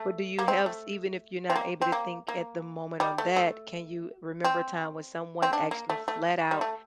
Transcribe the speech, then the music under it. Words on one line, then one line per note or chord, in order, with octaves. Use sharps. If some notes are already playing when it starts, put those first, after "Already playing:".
But, do you have s even if you're not able to think at the moment on that, can you remember a time when someone actually flat out,
Already playing: A3
A#3
C4
A3
C4
A#3
C4
A#3
A#3
G3
A3
A3
C4
C4
D4
A#3
A3
A3
G3
A3